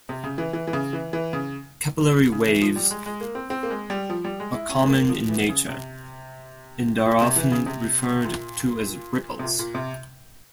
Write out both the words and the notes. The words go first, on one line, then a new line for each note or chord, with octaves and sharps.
Capillary waves are common in nature, and are often referred to as ripples.
C3
C#3
E3
E3
E3
C#3
E3
E3
C#3
C#3
E3
F3
G3
G#3
G#3
A#3
C4
C4
A#3
G#3
G3
F3
G3
G#3
E4
C#4
G#3
A#3
F3
E3
C#3
C3
A#2
C3
E3
C#3
C3
A#2
C3
A#2
A#2
C3